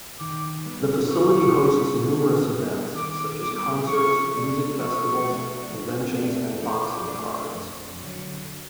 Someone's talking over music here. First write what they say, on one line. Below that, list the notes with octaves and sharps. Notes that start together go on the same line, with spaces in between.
The facility hosts numerous events, such as concerts, music festivals, conventions and boxing cards.
D#3 D6
G3 B3
D#3 C#6
G3 B3
D#3
G3 B3
D#3 D6
G3 B3 D6
F3 C#6
A3 D4
F3 C#6
A3 D4
F3
A3 D4
F3 D6
A3 D4
F2
D3 F#3